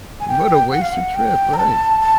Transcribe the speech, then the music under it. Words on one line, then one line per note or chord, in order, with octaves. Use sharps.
What a wasted trip, right.
G#5
G5
F#5
F5
F#5
G5
A#5
A5
A5